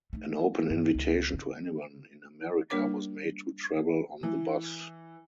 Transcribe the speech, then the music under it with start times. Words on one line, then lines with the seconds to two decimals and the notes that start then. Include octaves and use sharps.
An open invitation to anyone in America was made to travel on the bus.
0.13 A3 D#4
0.70 G2
0.94 C#2
1.34 C#3
2.70 G3 A#3 D4 A#4 C#5 D6
4.23 E3